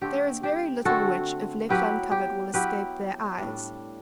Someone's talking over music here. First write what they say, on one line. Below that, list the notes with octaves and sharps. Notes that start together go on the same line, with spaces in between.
There is very little which, if left uncovered, will escape their eyes.
D3 A3 C4 G4
G4
D3 A3 C4 F#4 A4
F#3 B3 E4 G4 B4
G4
F#3 B3 E4 G4 B4
A2 G3 D4